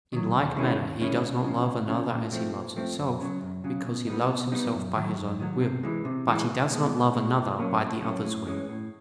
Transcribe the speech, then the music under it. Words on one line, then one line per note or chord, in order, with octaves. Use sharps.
In like manner he does not love another as he loves himself, because he loves himself by his own will; but he does not love another by the other's will.
D#3 F#3
D#2
D#3 G#3 C#4 E4
D#2
D#3 G#3 C#4 E4
C#2
C#3 F3
C#2
C#3 F3
A#2
F3 A3 C4
A#2
F3 A3 C4
F#2
C#3 F#3
F#2
C#3 F#3
B2
G3 B3 D#4
B2
G3 B3 D#4
F#2
D#3 F#3
F#2
D#3 F#3
C3
E3 G#3
C3
E3 G#3
C#2
B2 G#3
C#2
B2 G#3
A#2
F#3 A#3 C#4
A#2
F#3 A#3 C#4
A2
E3 G#3 C#4
A2